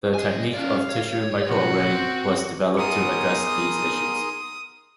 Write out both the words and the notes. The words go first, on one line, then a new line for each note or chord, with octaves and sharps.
The technique of tissue microarray was developed to address these issues.
D#5 G#5
C#4 D5 F5
C#5
B2 F3 F#4
C4
B3 D#4 G#4 A#4 F#5 C6 D#6